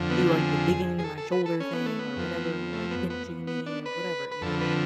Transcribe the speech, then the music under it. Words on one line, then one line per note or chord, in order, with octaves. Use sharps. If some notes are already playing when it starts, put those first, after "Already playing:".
do, like, the digging into my shoulder thing or whatever, like, pinching me or whatever, you know?
Already playing: F2 D3 F3
B3
G#4
G#4
A4
A4
B4
A4
C#4
B3
A3
B3
F2 F3
A3
B3
B3
B3
D4
B4
B4
F2 D3 F3 A4
B4